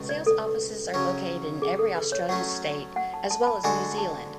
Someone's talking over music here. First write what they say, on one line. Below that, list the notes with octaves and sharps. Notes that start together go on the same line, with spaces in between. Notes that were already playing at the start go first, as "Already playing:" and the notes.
Sales offices are located in every Australian state as well as New Zealand.
Already playing: C#2 B2 A3
D5
A4
C#3 F#3 C#4
G#4
A4
B4
C#5
F#3 A3 C#4 F#5
F#5
A5
A5
B5
A5
D3 G#3 D4 F#4 A4 G#5
A5